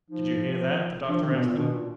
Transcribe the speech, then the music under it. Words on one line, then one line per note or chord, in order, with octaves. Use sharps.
"Did you hear that?" the doctor asked them.
F3 D#4
F3 D4
D#3
D4
B2 B3
A#2
B2 D4
A#2